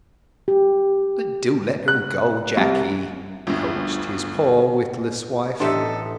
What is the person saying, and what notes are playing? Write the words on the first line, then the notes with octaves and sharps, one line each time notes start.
"But do let her go, Jacky," coaxed his poor witless wife.
G4
F#6
C2
G1 D2
A1 B3 D4 G4 A4 D#5 E5 C6